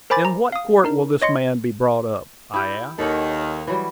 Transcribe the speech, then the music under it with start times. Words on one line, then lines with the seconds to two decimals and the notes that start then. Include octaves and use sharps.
"In what court will this man be brought up?" I asked.
0.10 A#4 C5 G#5 B5 D6 A6
0.25 A#5
0.52 F5 D#6
0.84 D4 D#4 A#4
1.22 C#5 D#5 C6 C#7
2.54 E4 G4
2.98 D#2 D#3 A4 C#5 F#5
3.67 E3 F#3 G3